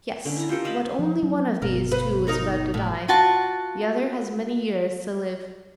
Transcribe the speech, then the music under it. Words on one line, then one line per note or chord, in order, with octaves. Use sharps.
"Yes; but only one of these two is about to die; the other has many years to live."
D3 C#4
E4 A#5
F4 G4 A4 A#4
D#5 F5 A5 B5
F3
F#3
G1 B2 A#4
B4 C5
D#4 A#4 C#5
A2
F4 F#4 A5